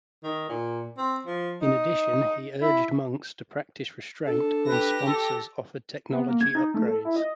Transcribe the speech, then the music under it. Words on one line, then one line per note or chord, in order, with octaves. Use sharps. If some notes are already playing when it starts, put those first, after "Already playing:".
In addition he urged monks to practise restraint when sponsors offer technology upgrades.
D#3
A#2
C4
F3
D#4
E4
D4 A4
G4 B4 A#6
A4
B3
A#3
G#6
D#4
A3
A4
E4
D#5